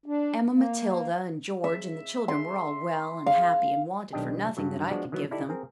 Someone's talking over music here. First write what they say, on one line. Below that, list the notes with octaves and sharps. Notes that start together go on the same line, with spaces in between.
Emma Matilda and George and the children were all well and happy and wanted for nothing that I could give them.
D4
A#3
E5
C6
F5
B1 D#3 D4 G4 D#5 G5
G2 C#3 F#3
F3 G#3 B3 D4 F#4 D5
D#3 E3 F#3 B3
D#4 E4 G4 A4 D5 E5
C4 G#4 A#4